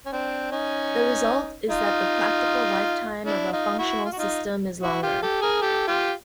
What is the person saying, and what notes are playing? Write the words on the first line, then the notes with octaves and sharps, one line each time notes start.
The result is that the practical lifetime of a functional system is longer.
C#4
C4 D4
C#4 D#4
D#4 F4
D4 E4
D#4 F4
E4 F#4
F4
F#4
D#4 F4
E4 F#4
F4 G4
G4 A4
G#4 A#4
G4 A4
F4 G4